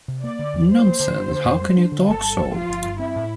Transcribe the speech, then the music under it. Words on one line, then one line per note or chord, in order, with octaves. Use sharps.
Nonsense, how can you talk so!
C3
A#3 D5
D3
E2
G3 C5
A#3
D3
D4
D3
F2
G3
D4
D3
G1 A4
G2
G1
F3 F4
G1
G2
C4 E4
A2